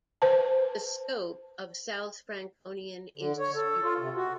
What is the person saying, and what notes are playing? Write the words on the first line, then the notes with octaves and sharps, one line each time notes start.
The scope of South Franconian is disputed.
B4 C5 A5
D3
C#5
A4
F4
C3
F#4